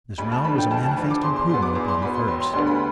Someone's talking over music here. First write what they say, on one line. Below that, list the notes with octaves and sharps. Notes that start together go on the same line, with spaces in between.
This round was a manifest improvement upon the first.
D2 B5
A5
D3 F3 B5
G5
D2 A5
A5
D3 F3 B5
D6
E2 C6
C6
B2 B3 C6
D6
E2 D6
C6
B2 B3 B5
C6
E1 C6
C6
D2 D3 G3 B3 C6
B5